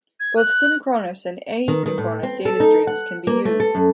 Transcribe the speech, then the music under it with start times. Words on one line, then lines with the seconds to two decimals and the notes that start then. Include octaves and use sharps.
Both synchronous and asynchronous datastreams can be used.
0.20 G#6
0.37 F#6
1.68 D#3
1.86 D#3
1.98 A2
2.23 C4
2.45 A4
2.60 D#4
2.87 F#5
3.27 A#3
3.45 A3
3.60 A4
3.75 F#2